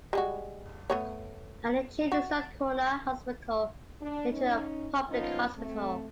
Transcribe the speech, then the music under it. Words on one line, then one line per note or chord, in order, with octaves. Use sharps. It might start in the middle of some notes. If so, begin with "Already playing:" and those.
Allen changed Strathcona Hospital into a public hospital.
G3 G#3 F#4
A3 B3 C#5
F#4
D4
C#4 D#4
F3 A#3 B3 C#4 D#4 F4
A3 C4